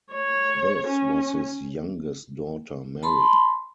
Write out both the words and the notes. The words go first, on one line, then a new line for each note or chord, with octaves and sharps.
This was his youngest daughter Mary.
C#5
C#4
A5 B5 C6